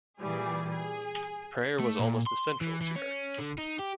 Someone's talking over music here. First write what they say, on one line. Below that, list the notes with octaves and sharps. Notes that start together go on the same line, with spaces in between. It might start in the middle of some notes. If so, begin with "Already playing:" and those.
Prayer was almost essential to her.
A#2 E3 G3 G#4
G#4
A3
A#2
C6
E3
E3
C#4
D3
D#4
G4